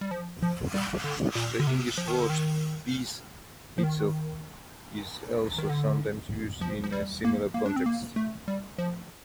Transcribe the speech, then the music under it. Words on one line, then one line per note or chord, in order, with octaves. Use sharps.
The English word "piece" itself is also sometimes used in a similar context.
G3
F3
F3
G3
D3
A#2
D3
C3
F3
D#3
D3
D#3
F3
D#3
D#3
D3
F3
F3
G3
A#3
A#3
D4
C4
A#3
A3
G3
F3